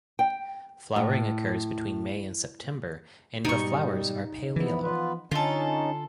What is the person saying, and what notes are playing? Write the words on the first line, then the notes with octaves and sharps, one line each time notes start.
Flowering occurs between May and September and the flowers are pale yellow.
G5
A2
G#2 B2 G3 D#4 C#6
E3 F3 B3 E4
B3 F4 B4
D3 C#4 D#4 F4 A4